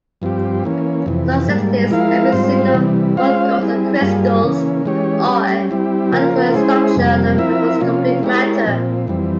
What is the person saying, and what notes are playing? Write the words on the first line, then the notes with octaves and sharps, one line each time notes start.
Auxetics can be single molecules, crystals, or a particular structure of macroscopic matter.
G2 F3 C4 G4
E3 A#3 C#4
F2 C3 E3
G#2 G3 A#3
F3 G#3 E4 A#4 F5
G#2 G3 C4 F4 C5
C3 E3 G3
G#3 C#4 F4 C5 F5
G3 C4 E4 G#4
G2 G3 A#3 F4 G#4
C#3 E3 A#3 C#4
E3 G#3 C#4 G4 C#5
G3 C#4 G4
G3 C4 E4 G4
C#3 F3 A#3 F4 A#4
G#3 C#4 E4 G#4 C5
F2 C3 G3 A#3
F3 C4 E4 A#4 E5
C3 F3 A#3 C#4 F4
G#3 E4 G4 A#4 C#5
A#2 F3 C4
F2 E3 G3 C4